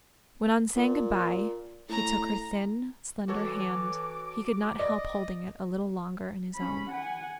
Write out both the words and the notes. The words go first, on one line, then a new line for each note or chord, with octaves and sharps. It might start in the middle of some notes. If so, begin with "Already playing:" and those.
When on saying good-by he took her thin, slender hand, he could not help holding it a little longer in his own.
A#2
A2 A#5
E3 F#4 A4 C#5 D6
D5 D#5
C#4 B5
F#5 G#5